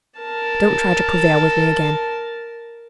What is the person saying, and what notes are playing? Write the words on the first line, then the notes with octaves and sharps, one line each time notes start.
Don't try to prevail with me again.
A#4 A5